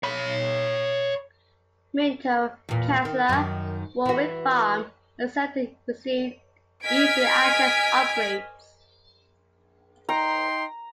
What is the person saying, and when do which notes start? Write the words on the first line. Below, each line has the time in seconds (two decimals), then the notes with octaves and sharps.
Minto, Casula, Warwick Farm and Sefton received Easy Access upgrades.
0.03 C#5 B5
2.69 E2 A#2
3.05 D#3
3.29 F#2 D#3
4.05 E3 F#4
6.84 D#5 G#5 F6 G#6 B6 D7
10.09 D#4 G5 A#5 C6